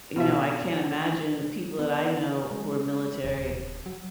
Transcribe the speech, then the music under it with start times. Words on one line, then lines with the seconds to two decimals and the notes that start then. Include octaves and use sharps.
you know, I can't imagine the people that I know who are military,
0.16 B2 F4 E5
1.79 B3
2.51 G#3
3.25 D#1
3.86 F#3